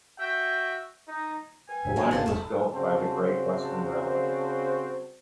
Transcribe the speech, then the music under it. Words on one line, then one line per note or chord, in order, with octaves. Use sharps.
The line was built by the Great Western Railway.
F#4 E5 G5
D#4
B4 G5 G#5
F1 A2 D#3 D4 F#4
B2 E3 G#3 A#3 B3 F#4 A5
G#1 D#3 D4 F4 A5
E1 A3 D#4 E4 A5
C#3 G3 C4 F#4 C5